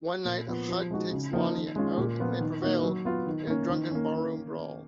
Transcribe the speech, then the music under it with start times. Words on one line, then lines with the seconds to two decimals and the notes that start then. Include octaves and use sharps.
One night, Hud takes Lonnie out and they prevail in a drunken barroom brawl.
0.25 A#2
0.47 F3 B3 F4
0.68 F3
0.90 G#3 D#4 F#4
1.11 C#3
1.33 F3 A#3 D#4
1.54 D#3
1.76 G#3 C#4 F4
1.98 A#2
2.19 F3 B3 F4
2.41 D#3
2.62 A#3 D#4 F#4
2.83 F#3
3.05 B3 F4
3.26 D#3
3.47 A#3 C#4
3.69 D#3
3.91 A#3 C#4